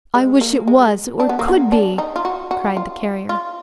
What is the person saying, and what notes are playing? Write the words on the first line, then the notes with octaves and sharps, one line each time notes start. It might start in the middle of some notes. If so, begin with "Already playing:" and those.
"I wish it was, or could be!" cried the Carrier.
G#3
A#3
G#3
D4
B3
A#3
B3
D4
D#4
F4
F#4
F#4
F4
F4